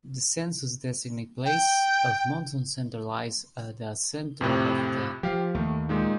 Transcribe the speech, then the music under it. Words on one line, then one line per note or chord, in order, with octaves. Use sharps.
The census-designated place of Monson Center lies at the center of the town.
G5
F2 A2 C3
F3 G4 F5
D#2 A3
A#2 G#3 D#4